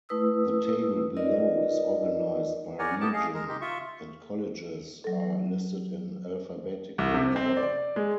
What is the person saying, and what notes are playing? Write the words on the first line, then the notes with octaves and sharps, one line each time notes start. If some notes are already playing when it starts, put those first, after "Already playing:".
The table below is organized by region, and colleges are listed in alphabetical order.
A3 E4 B4 D#6 E6
D#4 F4 A#4 B4 D5 D#5
A#4 C#5 D5 F#5 G#5
A3 B3 G4 A5 D6
G#4 D#5 F5
G#3 A#4
D#4 G4
F4 E5 C#6
F#3 A4
C2
C3
C4
D5
G#3